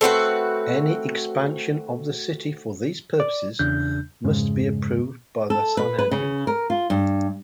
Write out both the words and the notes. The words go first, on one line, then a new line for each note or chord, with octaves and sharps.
Any expansion of the city for these purposes must be approved by the Sanhedrin.
A3 C4 F#4 B4
D5
E2 C#3 D4 G6
F2 G#2 C#3 G#3
A4
B4
B4
C#3
A#4
F4
G2